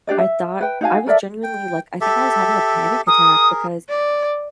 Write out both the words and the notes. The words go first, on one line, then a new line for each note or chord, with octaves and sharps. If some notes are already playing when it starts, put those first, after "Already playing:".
I thought I was genuinely like, I think I was having a panic attack because
D4 G4 D5 D#5
E5
B4 G5
D#4 F#4 F5 G#5
A4 A#4 D5 E5
G5
G4 A4 E5
G#4 A#4 D#6
D5